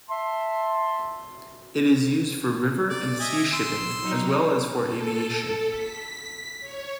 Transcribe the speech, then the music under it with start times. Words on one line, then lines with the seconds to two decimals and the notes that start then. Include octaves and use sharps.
It is used for river and sea shipping, as well as for aviation.
0.09 E5 A5 C6
2.90 D5
3.20 D#5 E5 G#5
3.53 C6 E6
4.01 F#3 D#4
4.81 A4
5.67 B6
6.60 C#5